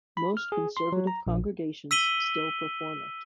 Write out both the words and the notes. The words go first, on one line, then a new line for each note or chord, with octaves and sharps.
Most Conservative congregations still perform it.
B5
F6
G#4
C6
F#3
A#5
A#1
E6 B6 D#7 F#7 G7